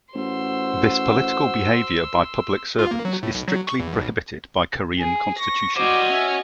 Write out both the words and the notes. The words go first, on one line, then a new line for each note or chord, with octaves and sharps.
This political behavior by public servants is strictly prohibited by Korean Constitution.
A1 F#4 C5 C6 E6
F4
A#3
F#3
A2
B1
F#3
C#6
E2
B1
G#4
C#6 A#6
G3 F#4 C5 D#5 D6 G#6
C#4 E5